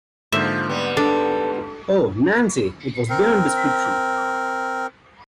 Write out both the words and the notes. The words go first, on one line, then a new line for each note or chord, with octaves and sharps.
Oh, Nancy, it was beyond description.
G#2 D3 F3 A#3 E5
G3 B3
D4 A4
C4 A#4